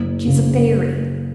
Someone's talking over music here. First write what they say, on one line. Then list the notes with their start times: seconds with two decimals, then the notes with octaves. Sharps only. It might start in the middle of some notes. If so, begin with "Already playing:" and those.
She's a fairy.
Already playing: F#1
0.27 C#3